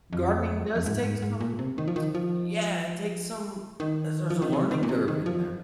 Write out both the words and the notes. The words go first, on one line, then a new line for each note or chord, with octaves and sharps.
Gardening does take some s Yeah, it takes some as there's a learning curve in there.
F2
F2
G#2
G#2
G#2
A#2
C3
D#3
F3
D#3
F3
D#3
F3
D#3
C3
D#3
A#2
C3
D#3
F3